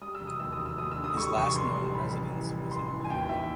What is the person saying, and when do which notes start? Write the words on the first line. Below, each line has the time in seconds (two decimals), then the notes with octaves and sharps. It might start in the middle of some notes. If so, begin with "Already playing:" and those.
His last known residence was in Munich.
0.01 G3 D#6
0.15 E6
0.21 F1
0.27 D#6
0.40 D#2 E6
0.52 D#6
0.59 F1
0.66 E6
0.78 D#2 D#6
0.91 E6
0.98 D3
1.04 D#6
1.17 G3 C#6
1.36 F1 C#6
1.56 A1 C6
1.75 G3
1.94 A1 B5
2.14 G3
2.33 E3
2.52 G3
2.71 A1 C6
2.91 E3
3.05 G#5
3.10 D#2 G5
3.29 D#2 E5